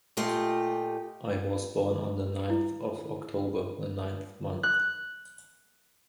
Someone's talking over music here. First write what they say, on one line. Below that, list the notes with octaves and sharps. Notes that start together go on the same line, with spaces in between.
I was born on the ninth of October, the ninth month.
A#2 A3 F4 G4 D#5
E4
F#6